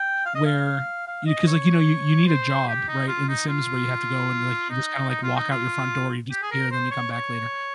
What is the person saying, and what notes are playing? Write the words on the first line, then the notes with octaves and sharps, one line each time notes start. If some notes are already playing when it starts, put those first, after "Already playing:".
where you 'cause, like, you know, you you need a job, right, in The Sims where you have to go and, like, you, just, kinda, like, walk out your front door, you disappear and then you come back later.
Already playing: G5
F5
D#5
F5
F5
D#5
C#5
C5
G4
D#4
F4
D#4
F4
D#4
D#4
F4
D#4
F4
G4
G#4
A#4
C5
C#5
C#5